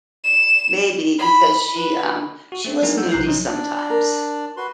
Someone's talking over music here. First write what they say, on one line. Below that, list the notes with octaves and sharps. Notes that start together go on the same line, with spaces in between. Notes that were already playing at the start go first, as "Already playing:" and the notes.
maybe because she, um she was moody sometimes.
E7
B5
B4
F#4
A3 C4 D4
F#3 B3 D4 D#4 G#4 A#4
F#5 E6 G6
A#1 C3 A#5 F#6 G6 C7
E3 F#3 C#4 D#4
D4 D5
A#4
F#4 B4 C6